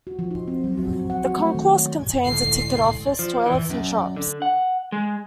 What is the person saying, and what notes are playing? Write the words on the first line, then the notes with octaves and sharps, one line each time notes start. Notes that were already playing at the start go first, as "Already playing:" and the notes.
The concourse contains a ticket office, toilets and shops.
F#4
F3
D#4
C4
F#3
F#4
F#4
F#5
F#4
A3
D#3
C#5
C#2 A2 D3 C7
F3
E3
F#2
D3
F#5
G#3